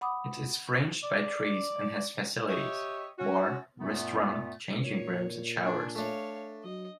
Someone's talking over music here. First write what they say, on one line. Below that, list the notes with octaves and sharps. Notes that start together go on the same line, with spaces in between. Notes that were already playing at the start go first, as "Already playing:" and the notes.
It is fringed by trees, and has facilities: bar, restaurant, changing rooms and showers.
F#5 B5 D6 D#6
D5
G4 C#5 D#5 E5
C#4 F#4
F#2 A#2 A3 B3
A#2 C#5
D4 G#5
A3 D4 C#5 F5
F#3 D#5